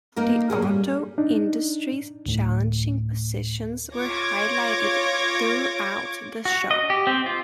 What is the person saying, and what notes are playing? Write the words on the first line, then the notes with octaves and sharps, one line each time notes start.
The auto industry's challenging positions were highlighted throughout the show.
A#3 D#4 A#4
A#2 C#4 G#4
G3
D4 D#4
D2 A2
F4 C#5 D6 G#6 A#6
F#4
D#5
G4
C4
F4